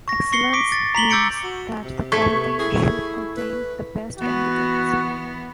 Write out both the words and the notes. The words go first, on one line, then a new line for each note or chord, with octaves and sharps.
Excellence means that the committee should contain the "best" candidates.
C#6 A#6
C#6 A#6 C7 C#7 G7
D6 B6 D7
A6
A#5 B6 F#7 G7
D6 E6 G6 A6 C#7 D7
F#4
C3
G#2 A3 C#6 G#6 B6
C3 B3
E4 G#4
B4
E3 B3 F#4